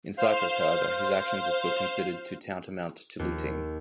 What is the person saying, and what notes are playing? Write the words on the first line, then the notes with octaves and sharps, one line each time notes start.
In Cyprus however, his actions are still considered to tantamount to looting.
C5 F5
D#2